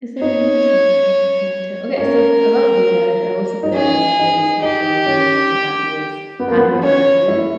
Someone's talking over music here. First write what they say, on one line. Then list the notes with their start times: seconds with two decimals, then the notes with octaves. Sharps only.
Is there a new song I've been listening to? Okay, so f about Billie Eilish, I also feel like I love the distinction between, like, happiest Happier Than Ever
0.20 D#4 C#5
1.97 C#4 A#4
3.63 D#4
3.74 C#4 G#4
4.19 D#4
4.62 D#4 G4
5.06 C#4
6.39 B3
6.48 A#3
6.57 B3
6.83 C#4 C#5
7.28 E4